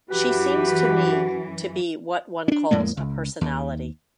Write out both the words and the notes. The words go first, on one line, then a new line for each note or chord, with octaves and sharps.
She seems to me to be what one calls a personality.
F#2 E3 F#4 G4 B4
C#4 D4
F2 A2 G#3 A#3
C#2
D#2